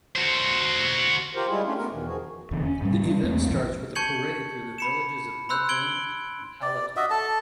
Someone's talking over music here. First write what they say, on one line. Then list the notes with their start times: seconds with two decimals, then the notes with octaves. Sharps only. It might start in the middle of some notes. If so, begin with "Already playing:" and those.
The event starts with a parade through the villages of Medbourne and Hallaton.
0.16 F#4 C5
1.35 F4 G4 A#4 C5
1.49 G3 G#3 E4 F4 G#4
1.65 A3 C#4 D4 F4 G4
1.77 A3 B3 A#4
1.91 E2 B2 D#3 E3
2.06 D#3 F3 F#4 G#4
2.51 F1 E2 D3
2.65 C#4
2.82 G#2 G3
3.06 G3 A#3 D4
3.23 E2 A3 A#3 C4
3.47 A#1 G#2 E3
3.95 A5 C#6 G6 G#6 C#7 F#7
4.78 B5 C#7 E7
5.49 B5 C6 E6 F#6 G6
5.69 G#6 D7 F#7 G7
6.62 D5
6.96 F#4 D#5 E5
7.10 A4 A5